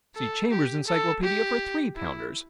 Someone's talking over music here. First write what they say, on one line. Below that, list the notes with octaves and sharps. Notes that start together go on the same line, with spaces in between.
See Chambers' Encyclopedia for three-pounders.
A4
G4
A4
G4
E4